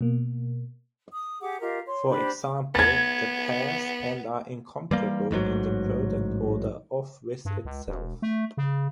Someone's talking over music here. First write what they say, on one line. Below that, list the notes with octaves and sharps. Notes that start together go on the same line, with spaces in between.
For example, the pairs and are incomparable in the product order of with itself.
B2 A#3
D#6
G4 G#4 F#5 D6
F4 G4 A#4 D#5
C#5 C6
D4 G4 C5 B5
D6
B3 G#6 A6
E3 G3 A#3
A1 G#2 C3 F#3
G2
C#2
E1
A3
C#3